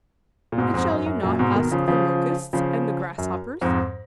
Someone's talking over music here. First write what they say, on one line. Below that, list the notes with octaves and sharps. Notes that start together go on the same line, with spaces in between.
"And shall you not ask the Locusts, and the Grasshoppers?"
A#2
G#2 B2
F2 G#2
F#2
F#2
F#2 A#2
G#2 B2
B2 D#3
C#3 F3
C#3 F3
C#3 F3
F#2
F2 G#2